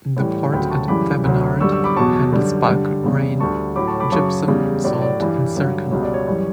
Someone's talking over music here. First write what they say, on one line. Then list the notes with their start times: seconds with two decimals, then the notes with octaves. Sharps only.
The port at Thevenard, handles bulk grain, gypsum, salt and zircon.
0.17 A2 E3 G3
0.53 D2 C#3 F#3 G5 B5
0.70 A5 C#6
0.88 F#2 C#3 E3 G3 B5 D6
1.24 D2 D3 F#3
1.61 F#2 D3 G3 C#6 E6
1.72 C#6 E6
1.84 B5 D6
1.96 E2 B2 F#3 A5 C#6
2.32 F#2 D3 G3
2.68 G2 D3 G3
3.04 E2 C#3 G3
3.40 D2 D3 G3 A5 C#6
3.76 A2 F#3 B5 D6
3.88 A5 C#6
4.00 B5 D6
4.12 F#2 C#3 F#3 A5 C#6
4.48 E2 C#3 G3
4.84 A2 F#3 D5
5.02 D5
5.20 G2 E3 G3
5.56 G2 D3 F#3
5.91 C#2 B2 G3 C#5
6.03 D5
6.14 C#5
6.27 F#2 E3 G3